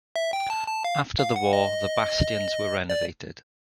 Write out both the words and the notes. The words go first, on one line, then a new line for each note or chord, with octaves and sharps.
After the war the bastions were renovated.
E5
G5
A5
A5
F5
F5
F#5
D#5
D5